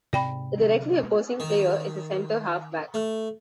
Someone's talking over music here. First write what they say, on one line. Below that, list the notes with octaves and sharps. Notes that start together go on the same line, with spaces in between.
The directly opposing player is a centre half-back.
G#2 C3 D5 G5 B5
D3 F#3 C4
B2 G#3 A#3
D#3
A3